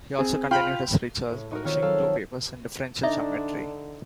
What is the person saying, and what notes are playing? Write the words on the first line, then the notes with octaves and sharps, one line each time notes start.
He also continued his research, publishing two papers in differential geometry.
C4 G#4
F4 G5 B5
A2
D#4 F#4 A#4
D#3 C4 F4 A#4 C#5
F#3 A4 F5
D3 D4 D#4 D5 E5